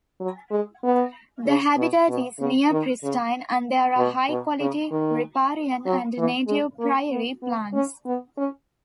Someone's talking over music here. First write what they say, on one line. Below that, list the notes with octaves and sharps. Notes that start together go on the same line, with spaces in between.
The habitat is near-pristine and there are high-quality riparian and native prairie plants.
F#3
G#3
B3
C#3
B2
B2
C#3
D#3
C#3
B2
B2
C#3
D#3
F#3
E3
G#3
A#3
B3
B3
C#4
B3
C#4